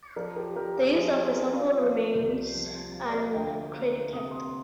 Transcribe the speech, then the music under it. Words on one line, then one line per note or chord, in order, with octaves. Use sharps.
The use of the sample remains uncredited.
F3 A#4 D5
G4 A#4
F3 G4 A#4
F4 G#4
F3 G#4 C5
G#4 C5
F3 A#4 D5
D5 F5
F3
C2
F3
F3
D5
D#5
F5
D2 D#5 G5
A#3
C3 D#6
C6 D#6